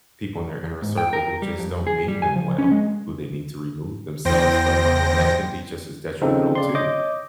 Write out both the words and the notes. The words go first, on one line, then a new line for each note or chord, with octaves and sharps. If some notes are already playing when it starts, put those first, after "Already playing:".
people in their inner circle who just don't mean them well, who they need to remove themselves from, and that can be just as detrimental too.
G#2
G5
A#4
G3
F2
G#4
G3
G#5
F3
C#4
G#3
E2 C5 G5 A#6
C#3 F3 C4 D#4 A4
C#3 D5 C6
C#5 D#5 D6 G6